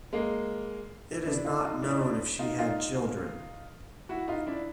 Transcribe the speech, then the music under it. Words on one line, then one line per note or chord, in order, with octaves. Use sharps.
It is not known if she had children.
G#3 A#3
D4 E4
D#4 F4
D#4 F4
D4 E4
D#4
D4 E4
D#4 F4
D#4 F4
E4 F#4
D#4 F4
D4 E4